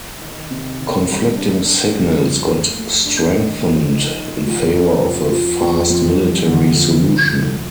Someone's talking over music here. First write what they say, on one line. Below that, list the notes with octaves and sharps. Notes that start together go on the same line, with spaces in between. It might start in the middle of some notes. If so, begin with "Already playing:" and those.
Conflicting signals got strengthened in favor of a fast military solution.
D#3
C3
D#3
G3
D4
D4
G3
F2
A3
A3
D4
D#3
F3
D#4
D#4
F3
F2
F2
F3
F3
F2
G3
D3
F2
D2
D2